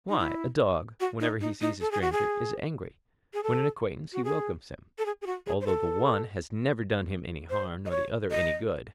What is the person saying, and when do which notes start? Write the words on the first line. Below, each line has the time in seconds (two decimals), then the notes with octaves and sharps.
Why, a dog, whenever he sees a stranger, is angry; when an acquaintance, he welcomes him, although the one has never done him any harm, nor the other any good.
0.09 D#4
0.19 E4
1.00 F#4
1.20 D#4
1.41 D#4
1.61 D#4
1.81 A4
1.91 G#4
2.01 F#4
2.12 G#4
3.34 G#4
3.43 A4
4.13 F#4
4.24 G#4
4.98 A4
5.06 G#4
5.22 G#4
5.26 F#4
5.46 G#4
5.61 C5
5.67 A4
7.50 C5
7.86 D#5
7.90 C#5
8.31 D#5